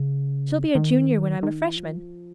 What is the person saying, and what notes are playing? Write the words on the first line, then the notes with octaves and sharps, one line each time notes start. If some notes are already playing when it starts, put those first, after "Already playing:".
She'll be a junior when I'm a freshman.
Already playing: C#3
D#3
D#3
E3
F3